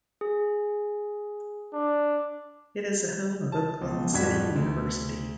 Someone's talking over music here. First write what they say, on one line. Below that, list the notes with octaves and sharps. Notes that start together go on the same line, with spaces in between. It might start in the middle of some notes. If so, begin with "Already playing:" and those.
It is the home of Oakland City University.
G#4
D4
A5
C#2 B2
D1 F2 G3 F#4 G#6 B6
D2